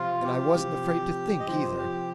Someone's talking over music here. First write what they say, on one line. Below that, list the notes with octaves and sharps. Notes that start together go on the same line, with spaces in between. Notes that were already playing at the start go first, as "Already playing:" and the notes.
And I wasn't afraid to think either.
Already playing: C3 F3 C4 F4
G4
C3 F3 C4
D#5
C3 F3 C4 C5
G4